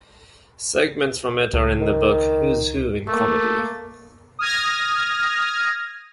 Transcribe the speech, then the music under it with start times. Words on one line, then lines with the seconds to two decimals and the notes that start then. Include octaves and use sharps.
Segments from it are in the book "Who's Who in Comedy".
1.54 C#2
1.80 D#3
3.09 A3 A#3
4.39 D#6 F6 G#6 A#6